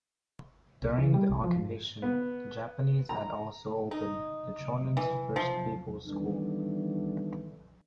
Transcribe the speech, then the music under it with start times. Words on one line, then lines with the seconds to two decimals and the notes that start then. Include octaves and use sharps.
During the occupation, the Japanese had also opened the Shonan First People's School.
0.82 C2
0.98 E3
1.14 G3
1.30 C2
1.44 F3
1.56 G#2
2.02 B3
3.09 A#5
3.91 D#4
4.97 E3
5.36 F3
6.06 D#3 E3 G3 A3 B3 D4